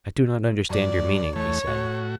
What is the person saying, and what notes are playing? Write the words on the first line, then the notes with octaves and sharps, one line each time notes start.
I do not understand your meaning, he said.
F#2 D5
E2 A3 C#5
A2 F#4